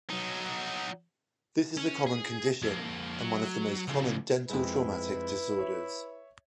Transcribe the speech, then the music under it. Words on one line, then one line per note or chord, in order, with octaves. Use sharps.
This is a common condition and one of the most common dental traumatic disorders.
F#3 D#4
C#4
G#4
F2 A#3
F#3
C#3 F3
F2 G#3 E4 B4
C#5 E5